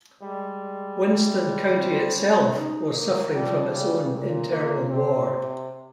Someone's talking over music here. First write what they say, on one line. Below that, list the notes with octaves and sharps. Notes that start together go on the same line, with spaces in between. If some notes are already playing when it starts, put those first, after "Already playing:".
Winston County itself was suffering from its own internal war.
G3 G#3
C4
C#4
D#4
A#3
F3 G3
C#3 G3
A#2
A#3
C3 C4
C3